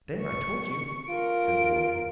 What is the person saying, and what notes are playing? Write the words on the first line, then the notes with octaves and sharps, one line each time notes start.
"There, I told you!" said the woman.
C#6
F4 A#4 D7